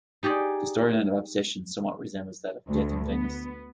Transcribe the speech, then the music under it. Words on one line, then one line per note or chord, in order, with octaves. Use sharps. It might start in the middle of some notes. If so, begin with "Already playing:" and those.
The storyline of obsession somewhat resembles that of "Death in Venice".
D#4 G4 G#4 D5
D2
B3